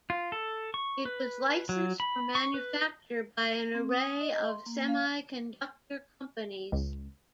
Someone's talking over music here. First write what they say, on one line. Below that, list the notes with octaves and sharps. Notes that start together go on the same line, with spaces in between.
It was licensed for manufacture by an array of semiconductor companies.
F4
A4
C#6
B4
F#3
B5
C#6
B4
C4
D#6
D#5
C6
A#3
F5
C#2